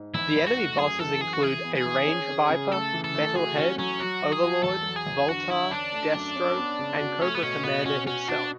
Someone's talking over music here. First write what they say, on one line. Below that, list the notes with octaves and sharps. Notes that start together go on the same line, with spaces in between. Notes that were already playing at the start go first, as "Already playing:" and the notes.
The enemy bosses include a Range-Viper, Metal-Head, Overlord, Voltar, Destro and Cobra Commander himself.
Already playing: G#2
E2 E4
E2
F#4
A3
F#2 G#4
E3 A4
E3 G#4
F#4
E3 G#4
B3
G#4
E3
C#4
C#4
C#3
A3 A4
E3
A4
A3
F#4 G#4
C#4 F#4
F#3 C#4
F#3 F#4
F#3
G#4
F#4
E2 A4
F#3
G#4
E2
D3 F#4
D3 E4
C#4 D4
A3
F#2
C#4
B3
C#3
F#4
A3 C#4
B3
B2 C#4
B2 B3
C#4 F#4
C#4 F#4
D4 F#4